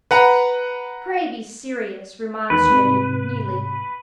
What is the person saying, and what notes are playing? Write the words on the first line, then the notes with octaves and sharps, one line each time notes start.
"Pray be serious," remonstrated Neelie.
B4 F#5 A#5
E2 D#3 B4
G#2 C3